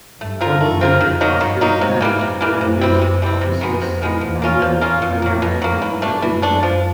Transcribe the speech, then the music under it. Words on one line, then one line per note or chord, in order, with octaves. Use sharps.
Overprinted Austrian stamps were in use at offices in Kandia, Khania and Rethymnon.
G2 A3
C4 F4 A#4
F#2 A3
C4 F4 A#4
F2 D#3
F#3 A#3 D#4
G2 D#3
F#3 A#3 D#4
G#2 C3
E3 G3 A#3
F#2 C3
E3 G3 A#3
C3
E3 G3 C4
C3
E3 G3 C4
F2 C3
D#3 G#3 B3
F2 C3
D#3 G#3 B3
E2 F3
A#3 C#4 F4
E2 F3
A#3 C#4 F4
F2 B2
F#3 A#3
B2
F#3 A#3
G2 E3
A3 D4
F#2 E3
A3 D4
F3